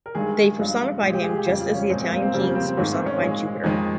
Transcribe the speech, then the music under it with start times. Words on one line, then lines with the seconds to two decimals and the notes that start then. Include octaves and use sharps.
They personified him just as the Italian kings personified Jupiter.
0.06 A#4
0.15 G2 D#3 G#3 G#4
0.59 G2 F3 G#3
1.02 A#2 G#3 G4
1.13 G4
1.24 G#4
1.36 G4
1.46 F2 C#3 G3 F4
1.60 F4
1.75 C#4
1.90 A#2 F3 G#3 C4
2.00 C4
2.12 A#3
2.22 C4
2.33 F2 C#3 G3 C4
2.40 A#3
2.45 C4
2.55 C4
2.66 C4
2.77 G#2 D#3 G#3 A#3
2.92 C4
3.07 C#4
3.21 A#2 G#3
3.64 F2 D#3 G#3 D#4